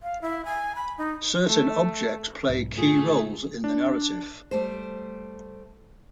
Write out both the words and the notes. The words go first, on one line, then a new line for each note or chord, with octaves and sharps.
Certain objects play key roles in the narrative.
F5
E4
G#5
B5
D#4
A3
B1 G#2
A#2 D3 A3 F4 G#4
D4
G3 A3 C5